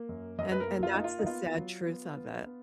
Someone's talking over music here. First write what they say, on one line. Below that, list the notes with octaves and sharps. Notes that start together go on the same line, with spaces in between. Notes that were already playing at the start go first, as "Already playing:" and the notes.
and and that's the sad truth of it.
Already playing: A#3
F#2
F#2 D#5
B4
A#4
A#3
F4
A#3 D#4
F4
D#4
B3 F4
F#3
B3
B3
B3